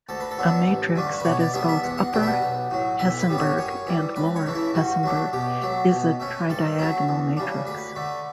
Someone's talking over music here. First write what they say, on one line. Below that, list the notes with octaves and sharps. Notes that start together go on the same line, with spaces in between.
A matrix that is both upper Hessenberg and lower Hessenberg is a tridiagonal matrix.
D2 A4
B4
A4
D3 F#3 B3
A1
G2 D3 A3 D4
B4
B2 C#5
D5
G3 B3 D4 E5
E5
E2 F#5
F#5
B2 G3 D4 G5
E5
F#5
B1
A2 F#3
B1 E5
B4
A2 G3 B3
C#5
F#2 C#5
E3 G3
C#2 B4
C#5
C#3 E3 A3
E4
G2 F#4
F#3 A3 D4
B2 G4
F#3 A3
B2
A3 C#4
G2 A4
F#3 A3 C#4
E2
C#3 G3 D4
D2 B4
D3 A3